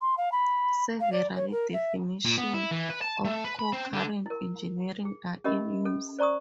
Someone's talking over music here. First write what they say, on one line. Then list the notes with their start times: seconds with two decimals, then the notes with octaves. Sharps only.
Several definitions of concurrent engineering are in use.
0.01 C6
0.17 F5
0.32 B5
1.00 F5
1.12 D5
1.36 C#5
1.51 A#4
1.73 E5
2.25 A#2
2.38 B3
2.54 E4
2.71 E3
2.90 B4
3.02 A5
3.25 A3
3.44 B4
3.59 B5
3.73 C4
3.93 D3
4.26 E4 A#4
5.05 G#4
5.44 C#4 G4 A#4 D#5 E5 B5
5.85 C#4 A4
6.19 C5 D5 A#5 C#6 D#6